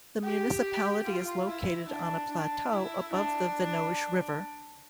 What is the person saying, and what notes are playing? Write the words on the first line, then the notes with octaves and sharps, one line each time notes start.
The municipality is located on a plateau above the Venoge river.
G4
F4
E4
D4
D4
E4
D4